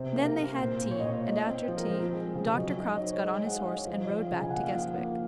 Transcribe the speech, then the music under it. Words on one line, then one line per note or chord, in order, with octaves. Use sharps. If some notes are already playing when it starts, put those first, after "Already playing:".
Then they had tea, and after tea Dr. Crofts got on his horse and rode back to Guestwick.
Already playing: C3 C5
A#3
A#4
A#3
A#2 C5
A#2
C#5
D#5
A#2 C#5
D#4
C4
F3
A#4
F3 C5
G#3
C#3
F#3 D#5
D#4
D#5
C#5
D#4 C5
C#5
G#3
G#3 F#5
F5
D#4 D#5
C#5
F3 C5
D#5
F3
F5
C#3
G#5
A#3 F#5
F5
F3 F#5
A#3